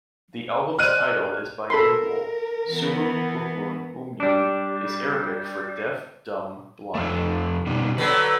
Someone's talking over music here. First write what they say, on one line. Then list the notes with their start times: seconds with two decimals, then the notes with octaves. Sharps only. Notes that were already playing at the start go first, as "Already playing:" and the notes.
The album's title is bilingual: "Summun Bukmun Umyun" is Arabic for "Deaf Dumb Blind".
0.79 C5 D5 D#5 F6 F#6 D#7
1.70 A4 A#4 B5 C6
2.68 E3 B3
4.20 G3 D4
6.95 F2 A3
7.66 B2 D#3 G3
7.98 D3 F#3 B4